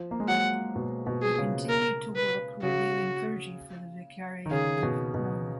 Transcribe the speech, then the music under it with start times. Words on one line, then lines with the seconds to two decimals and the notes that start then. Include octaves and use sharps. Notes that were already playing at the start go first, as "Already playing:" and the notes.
He continued to work reviewing clergy for the Vicariate of Rome.
Already playing: F3
0.11 A#3
0.20 G#3
0.29 F#3 F#5
0.76 B2
1.07 B2
1.22 G#4
1.38 C#3
1.69 A#4
2.16 B4
2.63 C#3 F#4
4.46 D#3
4.51 C#3 G#4
4.83 B2
5.14 B2